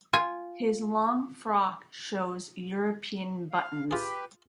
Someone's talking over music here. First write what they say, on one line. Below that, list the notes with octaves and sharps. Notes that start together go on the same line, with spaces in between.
His long frock shows European buttons.
F4 G#5
F5
F4 G4 G#4 B4